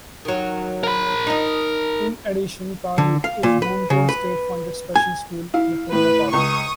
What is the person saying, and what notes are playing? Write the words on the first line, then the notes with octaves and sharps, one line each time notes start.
In addition Carluke is home to a state funded Special School, Victoria Park.
D#3 F#3
A#4 B5
D#4 D#5
D3
F5
A#2
B4
C#3
B4
G#5
E4 F5
A2 B4
C#2 C#6 D#6